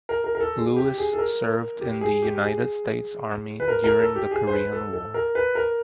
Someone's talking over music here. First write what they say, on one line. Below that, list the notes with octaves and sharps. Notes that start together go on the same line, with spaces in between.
Lewis served in the United States Army during the Korean War.
A#4
A#4
A#4
A4
G#4
G4
G#4
A4
A#4
G4
G#4
G4
G#4
B4
A#4
A#4
A4
G4
G#4
C5
B4
A4
A4
A#4
B4
A#4